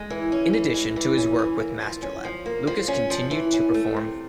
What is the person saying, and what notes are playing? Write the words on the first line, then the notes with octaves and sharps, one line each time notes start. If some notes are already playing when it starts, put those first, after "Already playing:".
In addition to his work with Masterlab, Lucas continued to perform.
Already playing: G#3
E3
C#4
E3
G#3
E3
C#4
E3
A#3
F3
C#4
F3
A#3
F3
C#4
F3
E3
C#4
A3
C3